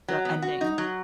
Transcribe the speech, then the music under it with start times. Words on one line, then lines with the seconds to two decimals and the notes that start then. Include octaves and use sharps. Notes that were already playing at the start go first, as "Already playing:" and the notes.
the ending.
0.08 F#3
0.25 B3
0.42 F#4
0.61 D#4
0.78 F#3